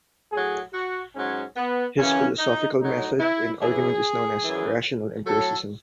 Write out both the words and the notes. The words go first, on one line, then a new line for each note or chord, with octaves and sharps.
His philosophical method in argument is known as rational empiricism.
A2 F#3 G#4
F#4
G#2 F#3 C#4
B3
F#2 C#3 E3 C#4
D#4
A2 D#4
F#3
E4
F#2 E3 G#4
F#2 E3
A2 F#3 A4